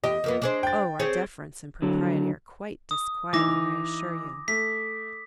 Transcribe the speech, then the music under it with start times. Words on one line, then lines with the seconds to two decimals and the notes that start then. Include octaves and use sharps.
Oh! our deference and propriety are quite disquieting, I assure you.
0.04 E2 G4 D#5
0.24 F2 A#3 B3
0.42 D4 G#4 C5
0.63 G5 A6
0.99 C4 G#4 C#5
1.82 D3 F#3
2.91 D#6
3.33 E3 D#4 D6 A#6
4.48 A3 B6